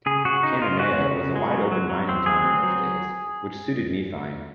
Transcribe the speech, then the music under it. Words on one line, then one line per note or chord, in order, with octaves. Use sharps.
Cananea was a wide-open mining town in those days, which suited me fine.
C#3 G#4
C#3 F#4
C#3 D#4
C#3 F4
G#3 F#4
C#3
C#3
G#3
F#3
F#3
F#3
C4
F#3 G#4
C4
F#3